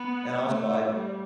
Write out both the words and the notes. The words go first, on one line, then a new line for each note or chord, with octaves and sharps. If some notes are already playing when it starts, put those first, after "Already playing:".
And also I
Already playing: B3
A3
G3